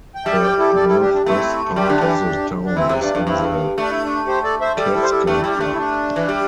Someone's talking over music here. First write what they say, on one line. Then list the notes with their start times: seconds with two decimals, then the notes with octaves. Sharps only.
The northwest part of the town is in the Catskill Park.
0.15 G5
0.25 G3 E5 A5
0.42 D5 G5
0.59 E4 A4
0.76 A4 D5
0.88 E4 A4
1.01 D4 G4
1.13 D4
1.26 A3 C4 E4
1.76 G3 D4 G4
1.89 D3
2.01 E3
2.66 D4
2.76 E3 C4 E4
2.89 C3
3.02 G2 D4
3.15 G2
3.27 G2 C4 E4
3.77 A3 D4
3.90 E4
4.03 D4
4.27 G4 C5
4.44 A4 D5
4.61 C5 E5
4.77 G3 A4 D5
4.94 E4 A4
5.03 C5
5.11 E4 A4
5.27 A3 D4
5.40 G3 E4
5.54 D4
5.61 A3
5.72 E4
5.78 D4
6.16 E3
6.28 G3